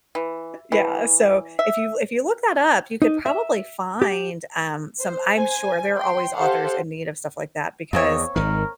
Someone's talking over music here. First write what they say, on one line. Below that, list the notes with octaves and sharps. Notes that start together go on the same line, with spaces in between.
Yeah, so if you l if you look that up, you could probably find, um, some I'm sure, there are always authors in need of stuff like that, because
E3
E3
E5
D#4
E5
G4
C5
C5 G#5
G5 C6
G4 A4 C5 F5 F#5
E2 A#3 C4 C#5 D#5
G#1 D#3 A#4